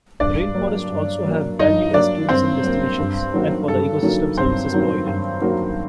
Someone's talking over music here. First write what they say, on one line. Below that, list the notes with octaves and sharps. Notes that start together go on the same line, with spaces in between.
Rainforests also have value as tourism destinations and for the ecosystem services provided.
G2 D4 D5
F#3 A#3
G2
F#3 A#3
G2 D#4 D#5
F#3 A#3 D4 D5
G2 C4 C5
F#3 A#3
G2
D#3 F#3 A#3 F#4
G2 A4
D#3 F#3 A#3 F#4
G2 C4 C5
D#3 F#3 A#3 F#4
G2
D#3 F#3 A#3 F#4